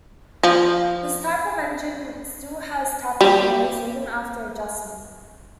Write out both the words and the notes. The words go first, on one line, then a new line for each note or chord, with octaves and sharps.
This type of engine still has tappet noise even after adjustment.
F3
G3